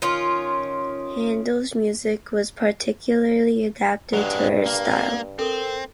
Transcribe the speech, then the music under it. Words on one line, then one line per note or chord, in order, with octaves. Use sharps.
Handel's music was particularly adapted to her style.
D#3 C#4 F4
G2 F#3 G#3
A#3
C4 A4 A#4